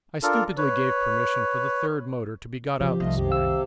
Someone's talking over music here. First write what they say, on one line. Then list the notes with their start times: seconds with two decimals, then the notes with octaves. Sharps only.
I stupidly gave permission for the third motor to be got out this morning.
0.23 D4 F4 A4 A#4
0.58 B4 C#5
2.80 C#3 F3 G4
3.00 C2 D#3 A3 F4 D#5
3.16 F#2 C3 G4
3.31 F5 E6